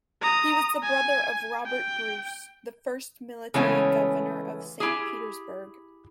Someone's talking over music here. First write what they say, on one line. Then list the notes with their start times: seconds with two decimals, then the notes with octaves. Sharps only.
He was the brother of Robert Bruce, the first military governor of Saint Petersburg.
0.23 A#5 D#6
0.83 G#5
1.66 G5
3.54 C#3 E3 G#3 A3 B3 C#4
4.80 E4 G4 G#4